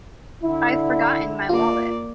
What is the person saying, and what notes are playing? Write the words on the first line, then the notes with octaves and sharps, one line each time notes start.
I’ve forgotten my wallet.
D3 E4
A#3 F4 D5